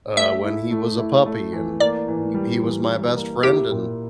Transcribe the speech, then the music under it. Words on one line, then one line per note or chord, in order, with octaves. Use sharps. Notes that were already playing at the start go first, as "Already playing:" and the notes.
uh, when he was a puppy, and he he was my best friend, and,
A3 E5
E4
A3
E4
A3
E3
A#3 D5
E3
G3
E3
E3
A#3
E4 G4
A#2